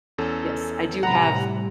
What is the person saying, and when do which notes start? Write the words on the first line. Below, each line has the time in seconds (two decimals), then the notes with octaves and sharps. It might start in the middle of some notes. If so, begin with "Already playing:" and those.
Yes, I do have
0.18 E2 C#4 A4
1.03 A2 C3 G3 F#5 A#5 B5